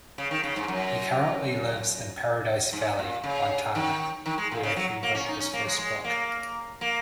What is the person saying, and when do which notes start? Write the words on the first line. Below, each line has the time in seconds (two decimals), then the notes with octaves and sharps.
He currently lives in Paradise Valley, Montana, where he wrote his first book.
0.18 C#3
0.31 D#3
0.44 C#3
0.56 G#2
0.68 F#2
2.73 G#2
2.99 A#2
3.24 C#3
3.75 D#3
4.26 D#3
4.38 G#3
4.51 A#2
4.63 C#3
4.76 F#3
5.03 A#3
5.15 C#4
5.28 D#4
5.40 C#4
5.53 A#3
5.66 G#3
5.79 G#3
6.04 A#3
6.81 A#3